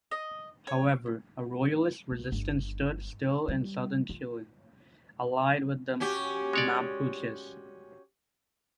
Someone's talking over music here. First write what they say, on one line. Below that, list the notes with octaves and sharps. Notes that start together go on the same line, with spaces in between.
However, a Royalist resistance stood still in southern Chile, allied with the Mapuches.
D#5
C#5
C2
G1
G3
F4
C#4 F#4 G4
G#3 C#5 D5